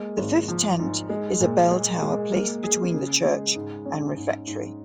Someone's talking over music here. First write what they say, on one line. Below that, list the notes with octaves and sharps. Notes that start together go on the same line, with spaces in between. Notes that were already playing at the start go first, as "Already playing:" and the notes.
The fifth tent is a belltower placed between the church and refectory.
Already playing: G#3 A#3
G#1
F3
G#2
G#3
A#2
G#3
G#3
A#3
G#4
C#3
G#3
G#2
C#4
G#2
G#2